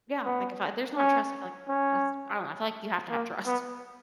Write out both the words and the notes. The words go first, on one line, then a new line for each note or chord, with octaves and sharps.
Yeah, like if I if there's not trust, I feel like that's I don't know, I feel like you have to have trust.
B3
C#4
C#4
A#3
B3